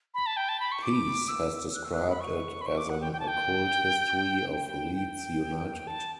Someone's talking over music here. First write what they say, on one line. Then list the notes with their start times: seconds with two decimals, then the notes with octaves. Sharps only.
Peace has described it as an "occult history of Leeds United".
0.14 B5
0.26 A5
0.37 G5
0.49 A5
0.60 B5
0.72 C#6
0.83 D6
1.28 E6
1.75 F#6
1.85 E6
1.93 F#6
2.10 B5
2.20 C#6
2.61 B5
2.66 C#6
2.78 D6
2.90 F#5
3.01 G5
3.13 G5
3.20 A5
3.28 G5
4.49 G5
4.95 G5
5.87 A5